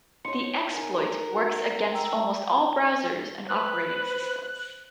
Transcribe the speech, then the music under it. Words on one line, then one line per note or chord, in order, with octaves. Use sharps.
The exploit works against almost all browsers and operating systems.
D#4 C#5 C6 C#7
A#4 G#5
F#4
G5 A#5 E6
B4 C5 F#6